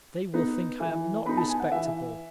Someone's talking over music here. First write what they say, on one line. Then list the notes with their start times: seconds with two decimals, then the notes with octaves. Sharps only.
They will think I am not respectable.
0.34 B3 D#4
0.80 E3
1.25 B3 D#4 B5
1.37 A5
1.50 G#5
1.60 F#5
1.72 E3 E5